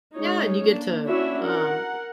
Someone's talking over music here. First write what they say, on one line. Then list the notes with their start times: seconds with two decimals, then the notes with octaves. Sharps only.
Yeah, and you get to, um
0.14 G#3 C#4 D#4 C#5
0.69 A#3 D4
1.05 C#4 D4 E4 F#4 C#5 E5
1.43 A#4 F#5